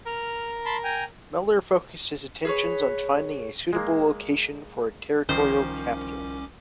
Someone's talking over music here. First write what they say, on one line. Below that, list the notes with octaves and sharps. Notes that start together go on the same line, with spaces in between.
Miller focused his attentions on finding a suitable location for a territorial capital.
A#4 F6
A5 B5 C6
G5 G#5 A#5
G#4 B4 C#5
G#3 A#3
C2 D#3 F3 C#4 A#4 C5 D6